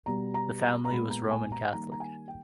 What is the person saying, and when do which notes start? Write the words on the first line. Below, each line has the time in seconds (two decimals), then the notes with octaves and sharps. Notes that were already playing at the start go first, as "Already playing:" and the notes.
The family was Roman Catholic.
0.06 B2 G3 B3 A#5
0.34 A#5
0.62 A#5
0.85 A#5
0.89 A#2 G#3 B3 B5
1.10 A#5
1.31 G#5
1.52 A#5
1.73 D#3 G3 A#3 A#5
1.92 A#5
2.00 G#5
2.28 G5